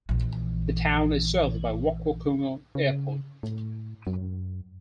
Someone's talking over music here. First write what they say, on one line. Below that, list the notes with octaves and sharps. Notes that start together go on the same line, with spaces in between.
The town is served by Waco Kungo Airport.
A#1 E3
C#3
A2
F#2